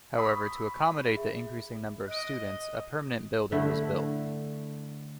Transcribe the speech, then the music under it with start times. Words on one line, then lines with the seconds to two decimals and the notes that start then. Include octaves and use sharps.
However, to accommodate the increasing number of students, a permanent building was built.
0.19 B5 C#6 D#6 E6
1.14 G#4 E5
2.08 D#5 F#6 D7
3.52 D3 A3 E4